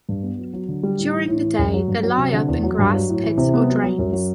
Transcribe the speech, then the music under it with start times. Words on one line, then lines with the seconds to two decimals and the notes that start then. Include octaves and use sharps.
During the day, they lie up in grass, pits, or drains.
0.09 G2
0.23 B3
0.38 F#3
0.53 F#3
0.68 D3
0.83 G3
0.98 A2
1.14 E3
1.28 A2
1.43 E3
1.59 F#2
1.74 F#3
1.88 G2
2.03 F#3
2.18 C3
2.33 D3
2.48 E2
2.63 F#3
2.79 G2
2.94 F#3
3.09 A2
3.23 E3
3.38 C3
3.54 B3
3.68 F#3
3.84 F#3
3.99 F#2
4.13 F#3